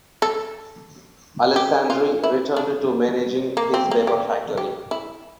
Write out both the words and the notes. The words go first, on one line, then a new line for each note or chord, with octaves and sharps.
Alessandri returned to managing his paper factory.
A4
G4
F4
E4
D4
A#3
C4
A#3
G4
G4
E4